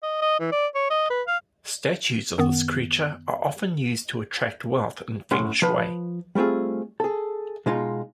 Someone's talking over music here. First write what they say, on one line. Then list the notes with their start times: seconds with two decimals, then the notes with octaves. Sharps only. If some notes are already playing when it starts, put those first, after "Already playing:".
Statues of this creature are often used to attract wealth in feng shui.
0.03 D#5
0.22 D#5
0.40 E3
0.52 D5
0.75 C#5
0.90 D#5
1.10 B4
1.27 F5
2.38 F#2 D#3 B3
5.31 A2 C#4 F#5 C6
5.62 F3 B4
6.35 G3 A3 C4 F4 G#4
7.00 G#4 A4
7.66 B2 G#3 D#4 F4